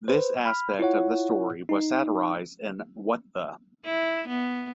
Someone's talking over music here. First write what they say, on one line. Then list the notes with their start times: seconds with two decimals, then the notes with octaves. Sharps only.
This aspect of the story was satirized in What The--?!
0.08 B4 C5
0.45 B5 F6
0.79 E4 F4 C#5 F#5
1.69 D#4
3.85 E4
4.28 B3